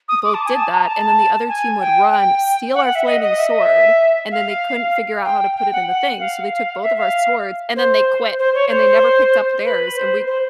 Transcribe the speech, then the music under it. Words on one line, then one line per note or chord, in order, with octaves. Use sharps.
both did that, and then the other team would run, steal our flaming sword, and then they couldn't figure out how to put it in the thing, so they took both of our swords, and then they quit, and they never picked up theirs, and we
D#6
D6
A5
G#5
A5
A#5
A5
G#5
G5
G5
F#5
F#5
E5
D#5
D#5
E5
D#5
E5
F5
G5
G5
F#5
F#5
F5
F5
E5
F5
C5
C5
C#5
C5
B4
C5
C5